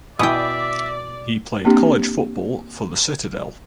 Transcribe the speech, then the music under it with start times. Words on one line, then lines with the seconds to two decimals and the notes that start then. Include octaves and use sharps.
He played college football for The Citadel.
0.19 B2 E4 D5 E5 G5 G#5 D#6
1.65 A#3 C4 D4 G4